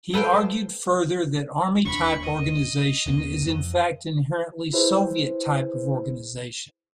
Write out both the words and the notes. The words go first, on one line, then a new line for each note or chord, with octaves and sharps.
He argued further that "army-type organization is in fact inherently Soviet type of organization".
A4 B4 C5 F5 G5
E1 D#2 D4 B5 C#6
D#5
D#2 B2 A#3
F2 E3
E4 G#4 B4 C5